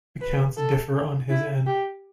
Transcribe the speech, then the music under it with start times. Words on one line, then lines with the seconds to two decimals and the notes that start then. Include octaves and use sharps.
Accounts differ on his end.
0.21 B4
0.57 A4
1.30 E4
1.67 G4